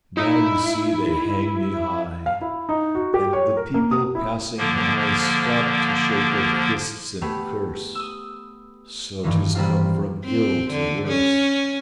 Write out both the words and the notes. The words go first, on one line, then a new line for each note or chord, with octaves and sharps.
"Now, you see, they hang me high, And the people passing by Stop to shake their fists and curse; So 'tis come from ill to worse."
D#4 E4
F5
E4
D#4
F#4
G4
C#5
A#4
A#3
D#6
E4
D3 F3 A#3
A3 B3 G4 G#4
D#6 E6
G2 D#3 E3 G#3
G3 A#3 C4 F4
C4
D3
C#4